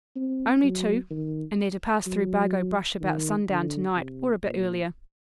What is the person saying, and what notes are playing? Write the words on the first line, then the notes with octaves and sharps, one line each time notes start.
'Only two; and they're to pass through Bargo Brush about sundown to-night, or a bit earlier.
C4
F#3
D#3
F#3
D#3
D3
C3
A#2